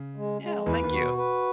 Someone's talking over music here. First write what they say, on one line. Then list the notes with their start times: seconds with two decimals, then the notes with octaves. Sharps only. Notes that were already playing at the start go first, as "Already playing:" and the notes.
Yeah, well, thank you.
Already playing: C#3
0.16 G#3
0.42 G#3
0.66 E2 E3 B4
0.83 D#2 D#3
0.91 F#4
1.01 B2
1.17 B4